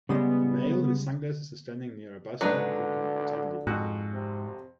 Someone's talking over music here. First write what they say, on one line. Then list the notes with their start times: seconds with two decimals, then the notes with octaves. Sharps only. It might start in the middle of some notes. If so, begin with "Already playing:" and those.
A male with sunglasses is standing near a bus stop looking intently.
0.09 C#3 G3 G#3 B3
2.41 G#2 D3 F#3 D4 B4 D#5 A#5
3.67 F2 G#2 F#4 F#6
4.13 C3